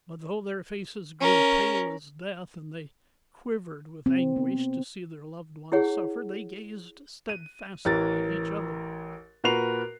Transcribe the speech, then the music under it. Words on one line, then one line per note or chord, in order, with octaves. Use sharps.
But though their faces grew pale as death, and they quivered with anguish to see their loved one suffer, they gazed steadfastly at each other.
C#4 A#4
C4
B3
E4 G4 G#4 C#5 F#5
D#7
A1 E3 A#4 A6
A#2 F#4 A#4 B4 C7 F7